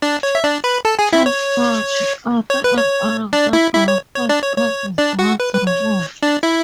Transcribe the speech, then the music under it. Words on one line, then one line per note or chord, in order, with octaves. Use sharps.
As such, Arthur and Alexandra were first cousins once removed.
D4 D5
C#5
E5
D4 D5
B4 B5
A4 A5
G#4 G#5
E4 E5
C#5
C#5
B4
C#5
D4 D5
E4 E5
E4 E5
C#5
C#5
D4 D5
C#5
C#5
D4 D5
F#4 F#5
B4
B4
C#5
D4 D5
E4 E5